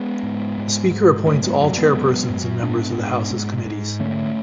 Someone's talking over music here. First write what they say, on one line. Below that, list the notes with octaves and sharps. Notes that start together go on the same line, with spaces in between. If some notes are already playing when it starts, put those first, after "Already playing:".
The Speaker appoints all chairpersons and members of the House's committees.
Already playing: G#3 B3
G#2
G#2
G#2
F#2 A3 C#4
G#3 B3
F#2 F#3 A3
G#3 B3
F#2
F#2
G#2 B3 D4
G#2
G#2
G#2
D3 A3 C#4